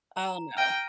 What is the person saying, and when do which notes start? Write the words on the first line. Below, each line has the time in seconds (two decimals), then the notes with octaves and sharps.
Oh, no.
0.16 A#5
0.57 G5 F6 A#6 D#7